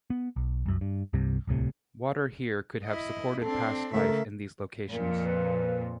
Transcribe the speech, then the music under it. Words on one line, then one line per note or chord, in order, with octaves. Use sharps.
Water here could have supported past life in these locations.
B3
B1
C2 F#2
G2
C2 G2 C3 G3
D1 C2 A2 C3
E4 D#5
C4 D4 A4
C#3 A3 A#4 E5
F2 A#2 A#4
B4